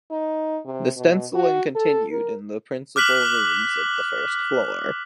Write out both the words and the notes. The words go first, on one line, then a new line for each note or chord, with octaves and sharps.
The stenciling continued in the principle rooms of the first floor.
D#4
C3
B2
F#4
A4
A#4
D6 F6 F#6 B6 F#7